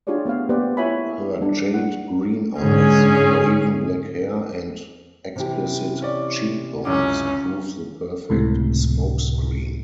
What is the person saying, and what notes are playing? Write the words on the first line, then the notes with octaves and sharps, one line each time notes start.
Her jade green eyes, raven black hair and "explicit cheekbones" prove the perfect smokescreen.
D4 F4 G4 G#4 C#5 D5
A3 B3 C4 F5
A#3 B3 G4 B4 C5 D5
E4 F4 C#5 E5 G#5 B5
G3 D4
D4 F#5
G#2 D3 C#4 G#4
C3 E3 G4
C#4 D5
C#2 F#2 C#4 D6
C#2 A2 C3